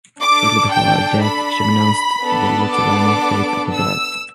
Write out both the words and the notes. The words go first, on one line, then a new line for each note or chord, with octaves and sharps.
Shortly before her death she renounced the Lutheran faith of her birth.
D4 A4 D6
G5
B5
B3 D4 A4
D6
E6